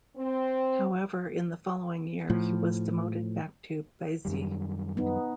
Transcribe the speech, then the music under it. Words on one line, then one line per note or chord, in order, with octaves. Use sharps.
However, in the following year, he was demoted back to "beizi".
C4
A2 F3
F#2 D#3 G3
B3 D#4